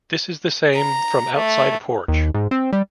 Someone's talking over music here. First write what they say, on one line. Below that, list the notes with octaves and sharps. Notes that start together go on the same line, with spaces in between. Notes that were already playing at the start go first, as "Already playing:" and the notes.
This is the same from outside porch.
A#5
A3
D#2
G#2
C4
G3